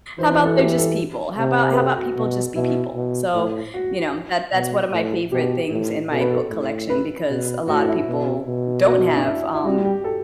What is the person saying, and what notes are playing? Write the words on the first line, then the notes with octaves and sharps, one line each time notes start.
"How about they're just people? How about how about people just be people?" So, you know, that that's one of my favorite things in my book collection because a lotta people don't have, um,
E3 C5
C5
A4
G4
A4
C3
B4
A4
F#4
B2
B2 E4
B2
A2
F#4
B2
A2
B2 G4
A2
B2 A4
B4
A4
A2
B4
B2
A2 F#4
E4
B2
B2
F#4
F#4
E4
D4
E4
E4
G3 F#4
G4
A4